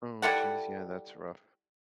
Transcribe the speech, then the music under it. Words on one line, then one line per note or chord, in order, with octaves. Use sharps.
Oh, jeez, yeah, that's rough.
G3 E4 A4 F#5